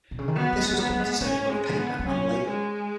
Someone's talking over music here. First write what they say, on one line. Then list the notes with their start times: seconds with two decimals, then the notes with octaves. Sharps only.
This was done to save on both paper and labour.
0.11 B2
0.19 C#3
0.28 D#3
0.35 F#3 B3
0.53 F#3
0.57 G#3
0.71 D#3
0.78 F#3 B3
0.90 F#3
0.99 G#3
1.21 G#3 C#4
1.49 G#3
1.77 B3
1.99 G#3
2.06 F#3 C#4
2.48 G#3